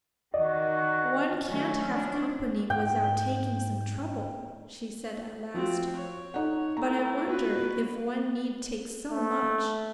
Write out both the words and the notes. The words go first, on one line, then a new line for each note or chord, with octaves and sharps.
"One can't have company without taking some trouble," she said at last. "But I wonder if one need take so much?"
D#3 F#4 D5 D#5
D#3 F#3 A3 C#4
F3 D4
G#2 G5
F3 C4 F4 F#4
C#5
D#4 A4 F#5
A3 E4 A#5
B3 F4 F#4 B4
A3